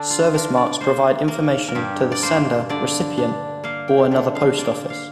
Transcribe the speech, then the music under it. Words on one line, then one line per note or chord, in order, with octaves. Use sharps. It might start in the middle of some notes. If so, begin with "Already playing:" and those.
Service marks provide information to the sender, recipient, or another post office.
Already playing: D3 D4
F4
D4 A#4
D5
A#3 C5
A#3 A#4
A#4
G2 G4
D5
A#3 C5
D3 D5
D4
A#3 F5
G5
D3
F5
A#3 D5
F5